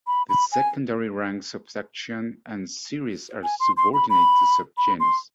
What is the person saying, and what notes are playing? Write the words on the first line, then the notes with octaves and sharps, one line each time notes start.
The secondary ranks of section and series are subordinate to subgenus.
B5
B5
G#5
G#5
C6
C6
B5
B5
B5
C6